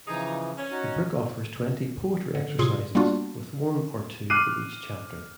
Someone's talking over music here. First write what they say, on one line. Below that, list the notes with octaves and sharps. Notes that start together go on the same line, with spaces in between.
The book offers twenty 'Poetry Exercises', with one or two in each chapter.
C#3 E3 F3 D#4 G#4
C#4
D#4 F#4
D3
A2 C3 F4 G#4
G3 A#3 B3 D4 F4 F#4
D6 F6 F#6 C7 D#7